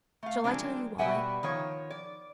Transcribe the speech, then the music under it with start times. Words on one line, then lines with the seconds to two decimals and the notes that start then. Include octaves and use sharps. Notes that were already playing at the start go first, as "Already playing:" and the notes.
Shall I tell you why?
0.23 A3 F5
0.44 F3 G3 G#3 A#3 C4 D4
0.98 B2 G3 B4 E5 F#5 G#5
1.43 D#3 F3 C#5
1.90 D5